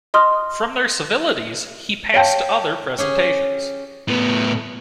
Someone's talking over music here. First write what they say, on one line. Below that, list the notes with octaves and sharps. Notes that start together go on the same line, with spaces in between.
From their civilities he passed to other presentations.
D#5 C6 D#6 F6
C#5 F5 G5 A5
C#4 G4 G#4
A2 B3